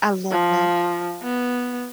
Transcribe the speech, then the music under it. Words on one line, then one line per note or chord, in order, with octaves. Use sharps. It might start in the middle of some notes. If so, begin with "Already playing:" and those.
I love that.
F3
B3